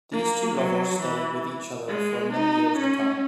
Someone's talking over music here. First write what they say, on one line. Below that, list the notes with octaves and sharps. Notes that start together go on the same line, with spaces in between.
These two lovers stay with each other for many years to come.
A#3
F#3
E3
G#3
D#4
C#4